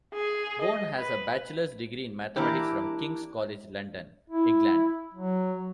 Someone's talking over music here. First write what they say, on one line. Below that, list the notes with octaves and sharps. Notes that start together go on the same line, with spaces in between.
Bourne has a bachelor's degree in mathematics from King's College London, England.
G#4
D#5
B4
E3 A#3 D4 E4 G4
E4
F#3